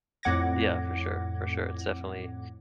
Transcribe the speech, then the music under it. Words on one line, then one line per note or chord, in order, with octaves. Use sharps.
Yeah, for sure, for sure. It's definitely
F2 A2 F#5 D6 G#6 A#6